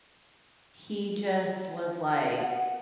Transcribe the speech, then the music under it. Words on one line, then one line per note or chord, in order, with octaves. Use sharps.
he just was, like
F#5